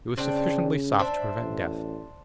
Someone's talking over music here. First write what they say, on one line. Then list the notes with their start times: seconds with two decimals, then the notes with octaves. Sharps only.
It was sufficiently soft to prevent death.
0.17 C#3 C4 D4 G5
0.99 D4 C5 E5
1.39 A1